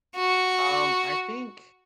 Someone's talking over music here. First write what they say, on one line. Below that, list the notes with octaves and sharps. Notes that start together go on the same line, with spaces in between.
Um, I think
F#4